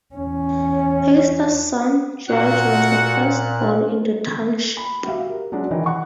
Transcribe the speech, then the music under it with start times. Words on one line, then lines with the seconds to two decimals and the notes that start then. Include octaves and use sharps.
Heister's son, George, was the first born in the Township.
0.15 E2 C#4
2.29 A#2 F#4 F#5 F#6
4.77 B5
5.04 F#4 G4 E5 F5
5.29 A#4
5.52 F#3 G#3 C#4 D4
5.71 D#3 E3 D#4
5.86 F#5 C#6